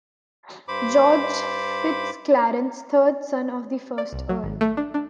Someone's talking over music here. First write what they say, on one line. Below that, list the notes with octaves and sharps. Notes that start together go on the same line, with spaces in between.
George FitzClarence, third son of the first Earl.
G2 C5 B5 D6
D5
C2
F#3
G#1
A3
D4
D4